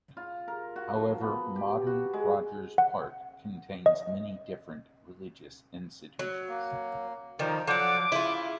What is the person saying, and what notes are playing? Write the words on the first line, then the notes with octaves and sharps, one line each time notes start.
However, modern Rogers Park contains many different religious institutions.
F4
A#4
F#4
F3
B3
G4
F#4
G#3
F#5
D#5
F#3
A#3
D#3 F3 G3 D#4
F3 F#3 A4 D5 F#5 D6
C#3 E4 F4